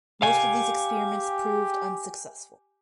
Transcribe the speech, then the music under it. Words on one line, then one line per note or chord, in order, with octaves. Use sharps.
Most of these experiments proved unsuccessful.
G4 F5 G#5